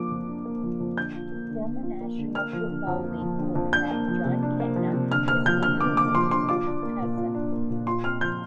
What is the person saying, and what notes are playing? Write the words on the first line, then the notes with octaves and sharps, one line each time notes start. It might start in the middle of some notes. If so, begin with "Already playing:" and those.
Former National Football League quarterback Jon Kitna is Magruder's first cousin.
Already playing: F3 A#3 D4 D6
F2
D4
A#3
F3
F2
D3 G6
F4
A#3
D3
D3
F4
A#3
D3
A#3 F6
F3
D3
F2
A#3
F3
D3
F2
D4 G6
A#3
F3
C3
D4
A#3
F3
C3
D3 F6
A#3 F6
F3 G6
D3 F6
D3 D6
A#3 D6
F3 C6
D3 C6
F4 D6
D4
A#3
A#2
F4
D4
A#3
A#2
F4 C6
C4 F6
F3 G6